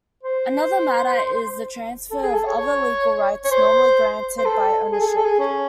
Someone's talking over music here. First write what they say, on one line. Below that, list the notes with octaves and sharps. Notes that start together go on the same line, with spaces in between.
Another matter is the transfer of other legal rights normally granted by ownership.
C5
A4
G#4
A4
C#5
C#5
C#5
C5
C5
A4
G#4
A4
G#4
A4
G#4
C#4